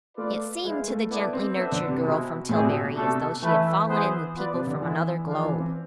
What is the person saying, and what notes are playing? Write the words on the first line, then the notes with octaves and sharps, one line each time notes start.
It seemed to the gently nurtured girl from Tillbury as though she had fallen in with people from another globe.
A3 F4 B4 D5
G#3 E4 B4 F5
A3
B3 E4 A4 D5
C4
B3 D4 A4 C5 E5
D3
C3
B2 G#3 C4 E4
A2 C4 E4 G#4 D5
C3
B2
B2
B2 A3 D4 A4
C3
E3 A3 E4 B4 E5
B3 E4 G#4 C5
B3 F4 B4 D5
C3
D3
E3 G#3 B3 E4
F3 D4 G#4 D5 F5
E3
C4